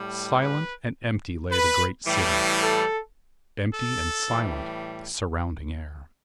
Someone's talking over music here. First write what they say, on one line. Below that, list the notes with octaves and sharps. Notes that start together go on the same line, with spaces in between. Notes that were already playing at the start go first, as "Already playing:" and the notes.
Silent and empty lay the great city--empty and silent the surrounding air.
Already playing: A2 G3
B4
B4
A2 E3 G3
A4
A4
A2 E3 G3